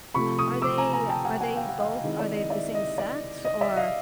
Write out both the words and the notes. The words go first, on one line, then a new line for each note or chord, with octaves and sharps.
Are they are they both are they the same sex? Or
C3 F3 A3 B5 C#6
C#6 D#6
D6 E6
G#5 A#5
G#5 A#5
G5 A5
F#5 G#5
F#5 G#5
F5 G5
F#5
D#5 F5
D#3 G#3 C4 E4 D#5
D5
D#5
D5 E5
D#5
D5
D#5
D5 E5
D#5 F5